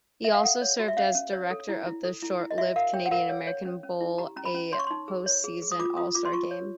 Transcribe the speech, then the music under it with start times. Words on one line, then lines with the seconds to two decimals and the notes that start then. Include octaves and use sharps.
He also served as director of the short-lived Canadian-American Bowl, a postseason all-star game.
0.24 E5
0.34 F5
0.43 A4 F#5
0.61 C#5
0.79 F#4
0.88 E5
0.97 C#4 F5
1.15 C#4
1.33 C#5
1.51 A4
1.69 E4
1.87 E4
2.04 A4
2.22 E4
2.40 E4
2.51 D#5
2.58 F#4 E5
2.76 A#4 F5
2.94 C#5 G5
3.06 F#5
3.11 A#4 F5
3.29 C#5
3.47 C#5
3.65 C#4
3.83 C#4
4.01 E4
4.18 G4 A#5
4.36 C#4 A#5
4.45 B5
4.55 C#4
4.72 C#5 C6
4.79 C#6
4.87 D#4 C6
5.08 G#4
5.26 C#5
5.44 G#4
5.62 G#4
5.72 D#6
5.79 F4 D6
5.97 F4 D#6
6.15 F4 D6
6.25 C6
6.33 F4 C#6
6.51 C#5